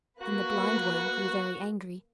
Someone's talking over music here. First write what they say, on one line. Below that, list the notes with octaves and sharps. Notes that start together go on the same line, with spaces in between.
Then the Blindworm grew very angry.
A#3 F#4 B4 F#6